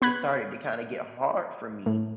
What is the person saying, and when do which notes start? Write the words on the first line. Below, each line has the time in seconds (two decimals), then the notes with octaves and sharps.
it started to kinda get hard for me,
0.02 B3 B5 F#6 G#6
1.86 A2